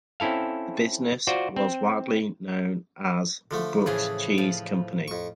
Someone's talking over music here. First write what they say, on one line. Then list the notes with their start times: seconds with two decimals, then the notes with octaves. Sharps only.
The business was widely known as the Brooks Cheese Company.
0.20 C4 C#4 E4 A4 F5
1.27 F4 F#4 C5 D5
1.56 C4
3.51 D3 F3 A3
3.86 A2 C#3 E3 F3 G#4
4.38 F3
5.08 F2 C#6